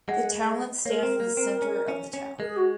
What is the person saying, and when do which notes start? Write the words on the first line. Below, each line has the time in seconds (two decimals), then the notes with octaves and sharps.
The townland stands in the centre of the town.
0.08 G#3 F#5
0.85 A#3 A#4 C#5
1.03 C4
1.20 A#3
1.37 C4
1.62 C#4
1.88 C#4
2.14 C#4
2.39 G#3 A#4
2.47 G#4
2.56 F#4